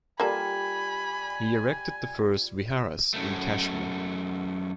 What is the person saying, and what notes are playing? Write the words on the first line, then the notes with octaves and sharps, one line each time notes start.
He erected the first viharas in Kashmir.
G3 A#3 F4 A4 G#5 B5
F#2 A3